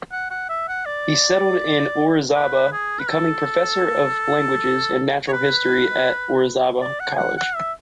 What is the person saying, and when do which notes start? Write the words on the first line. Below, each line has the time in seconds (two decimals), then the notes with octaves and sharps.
He settled in Orizaba, becoming professor of languages and natural history at Orizaba College.
0.12 F#5
0.30 F#5
0.49 E5
0.68 F#5
0.86 D5
2.35 B4
2.72 G#4
3.00 B4
3.10 A4
5.28 C#5
5.33 B4
6.81 D5
7.00 F#5
7.14 G#5
7.18 F#5
7.37 F#5
7.55 E5